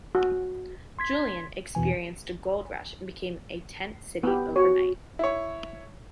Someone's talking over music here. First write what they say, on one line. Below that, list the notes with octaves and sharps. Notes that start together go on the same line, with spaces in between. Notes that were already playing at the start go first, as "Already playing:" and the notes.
Julian experienced a gold rush and became a tent city overnight.
F#4
C6 G#6 B6
E2 B2 E3 G#5
B3 G4
F#4 C#5
E4 C#5